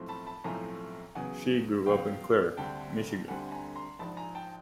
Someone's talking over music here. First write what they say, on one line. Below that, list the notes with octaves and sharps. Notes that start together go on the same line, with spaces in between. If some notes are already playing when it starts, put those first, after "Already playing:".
She grew up in Clare, Michigan.
Already playing: B1 A2 F3 A3 C4
A5 B5
A5 B5
B1 A2 F3 A3 C4 G#5 A#5
E2 C#3 F#3 B3 F#5 G#5
E2 C#3 F#3 B3 F5 G5
D2 D3 G3 C4 G5 A5
D2 D3 G3 C4 F#5 G#5
G#5 A#5
A#5 C6
A#1 G#2 F3 A5 B5
G#5 A#5
G5 A5